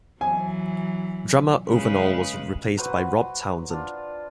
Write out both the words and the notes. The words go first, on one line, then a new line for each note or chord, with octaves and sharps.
Drummer Ovenall was replaced by Rob Townsend.
E3 F#3 G#5
C#3 G#3 B4
F#3 B4 C5 F#5
D4 F4